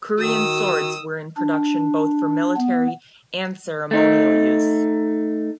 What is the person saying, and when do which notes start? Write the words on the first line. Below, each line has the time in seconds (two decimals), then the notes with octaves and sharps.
Korean swords were in production both for military and ceremonial use.
0.17 D#3 F#4 D#6 E6
1.37 D4
2.57 B3
3.91 A3 D#4